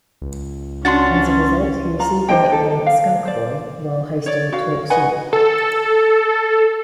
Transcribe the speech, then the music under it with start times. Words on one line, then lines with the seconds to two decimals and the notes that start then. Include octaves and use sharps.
As a result, he received the nickname "Skunk Boy" while hosting "Talk Soup".
0.22 C#2
0.85 C#4 D4 F#4 C6 A6
1.99 F4 A#5
2.28 D4 C5 D#5 G5
2.52 A4
2.86 F5
3.25 C5 D5
4.26 C#5 D5
4.52 F#4 F5
4.90 B4 D#5 F#5 G#5
5.33 A4